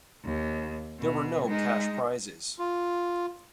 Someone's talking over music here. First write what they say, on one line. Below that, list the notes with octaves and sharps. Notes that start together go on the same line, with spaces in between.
There were no cash prizes.
D#2
B2
G#3 D#4
F4